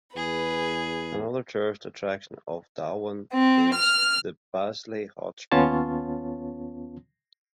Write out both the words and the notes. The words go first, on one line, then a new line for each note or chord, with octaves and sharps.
Another tourist attraction of Dauin is the Baslay Hot Spring.
E2 G#4 B4
C4
F6
D#2 B3 C#4 F4 C#5 A5